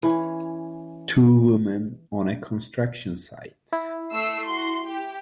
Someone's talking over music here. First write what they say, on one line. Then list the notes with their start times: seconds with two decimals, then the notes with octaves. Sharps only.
Two women on a construction site.
0.03 E3 C#4
3.73 E4
4.12 A3 E6 C7
4.46 F#4 C6
4.85 G4